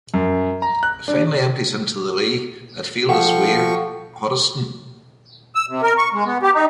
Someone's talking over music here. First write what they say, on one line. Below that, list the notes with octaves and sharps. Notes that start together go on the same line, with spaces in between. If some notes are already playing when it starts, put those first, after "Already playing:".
It finally empties into the Lea at Feildes Weir, Hoddesdon.
F#2
A#5
F#6
D4
F3 A4 F#5 G5 C#6
E6
C3
A#4
C#6
G#3
B3
G4
D#4